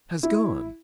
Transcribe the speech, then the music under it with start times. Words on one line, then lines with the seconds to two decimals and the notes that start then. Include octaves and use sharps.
"Has gone."
0.23 E4